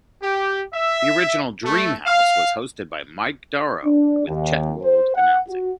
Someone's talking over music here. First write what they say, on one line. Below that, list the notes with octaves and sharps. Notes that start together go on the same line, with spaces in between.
The original "Dream House" was hosted by Mike Darow with Chet Gould announcing.
G4
E5
A3
F5
D4
D#2
C5
F#5
F#4